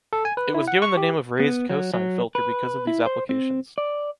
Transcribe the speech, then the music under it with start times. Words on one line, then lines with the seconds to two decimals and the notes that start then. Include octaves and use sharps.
It was given the name of raised-cosine filter because of these applications.
0.13 A4
0.25 G#5
0.37 B4
0.54 E4
0.68 F#5
0.82 C#6
0.97 G4
1.40 B3
1.70 F#3
1.94 F#3
2.35 B4
2.87 E4
3.06 C5
3.29 C4
3.78 D5